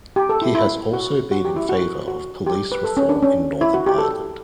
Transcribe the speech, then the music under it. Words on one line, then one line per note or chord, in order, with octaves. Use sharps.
He has also been in favour of police reform in Northern Ireland.
G4
A4
E4
E4
F#4
F#4
G4
E4
F#4
F#4
G4
B4
A4
C#4
D4
C#4
E4
F#4
G4
A4